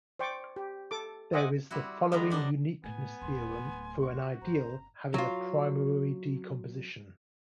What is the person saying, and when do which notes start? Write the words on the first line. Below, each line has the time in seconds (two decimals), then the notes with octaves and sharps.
There is the following uniqueness theorem for an ideal having a primary decomposition.
0.19 C5 D5 G5 C#6 D6
0.56 G4
0.91 A4 D6
1.33 C5 D#5 E5 F#5 G#5 D6
1.71 G3 C4 E4 F#4
2.12 F2 D#3 G3 G#3 B3 A#5
2.30 F#3 D4 C5 D#5
2.84 A2 A3 B3 G#5
3.22 D#1 A#2 C6
3.65 D1
4.02 F#4 C#6
4.41 G1 C5 A#5
5.14 F#3 F4